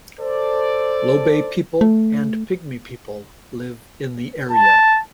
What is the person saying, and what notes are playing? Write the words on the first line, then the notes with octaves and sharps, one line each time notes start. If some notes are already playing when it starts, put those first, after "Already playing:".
Lobaye people and Pygmy people live in the area.
A4 C5 D5
A3
A5